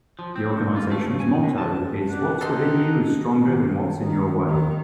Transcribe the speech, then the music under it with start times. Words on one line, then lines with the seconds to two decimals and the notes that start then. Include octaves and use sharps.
The organization's motto is What's Within You Is Stronger Than What's In Your Way!
0.19 F3
0.36 C4
0.56 G2
0.76 F4
0.91 A3
1.06 C#3
1.20 G#5
1.43 C3
1.58 A5
2.10 D4 G4 D5 F#5
2.41 D#4 G4 A4 C6
3.39 D#3
4.02 D#3
4.47 D#3